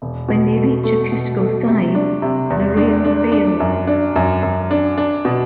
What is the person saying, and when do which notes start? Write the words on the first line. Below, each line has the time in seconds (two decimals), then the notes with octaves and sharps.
When they reach a critical size, the rail fails.
0.02 E1
0.28 B2
0.56 A3
0.84 A3
1.12 B2
1.39 A3
1.67 C3
1.95 D4
2.22 C3
2.50 E2
2.77 D4
3.05 D4
3.32 D4
3.60 F#2
3.87 D4
4.16 F#2
4.43 F#2
4.71 D4
4.98 D4
5.25 B2